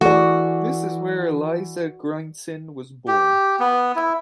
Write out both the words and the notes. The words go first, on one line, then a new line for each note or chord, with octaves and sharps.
This is where Elisa Griensen was born.
E3 F#4 G#4 A4 D5
G4
B3
E4